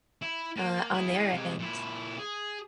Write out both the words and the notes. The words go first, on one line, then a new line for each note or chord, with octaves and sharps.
uh, on their end,
E4
A#3
E4 G#4
C3 G#3
A#2 E4
G#4